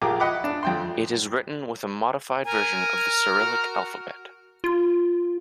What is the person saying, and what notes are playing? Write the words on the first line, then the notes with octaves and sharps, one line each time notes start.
It is written with a modified version of the Cyrillic alphabet.
A#1 G4 G#4 A#4 D6
D#5 F#5 B5 D6
D4
F2 G5 C6
A#4 G#5
F#4
F4